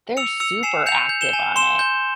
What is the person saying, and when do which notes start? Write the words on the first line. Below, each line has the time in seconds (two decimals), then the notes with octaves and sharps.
they're super active on it
0.17 E6 C#7 F7
0.40 E6 C#7 F7
0.63 G#5 C7 E7
0.86 G6 C#7 F7
1.09 G6
1.21 E7 G7
1.33 G#5
1.56 C6 E7 G7
1.79 G6